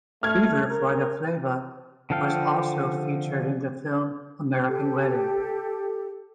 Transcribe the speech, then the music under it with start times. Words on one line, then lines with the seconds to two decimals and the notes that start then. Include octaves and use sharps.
"Fever for the Flava" was also featured in the film, "American Wedding".
0.23 A3 F6 G#6
0.70 A#4
2.10 D3 F3 A4 F5 G5
4.67 G4 A4